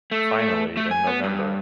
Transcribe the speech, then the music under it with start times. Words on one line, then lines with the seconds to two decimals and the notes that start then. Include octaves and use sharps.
Finally in November.
0.11 A3
0.77 A3
0.91 G#5
1.07 B3
1.24 G2